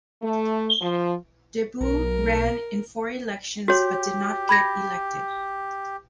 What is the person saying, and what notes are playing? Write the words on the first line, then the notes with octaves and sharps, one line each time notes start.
De Boo ran in four elections but did not get elected.
A3
F3
B1 A#4
F#4 G4 C#5
B5 G#6 A#6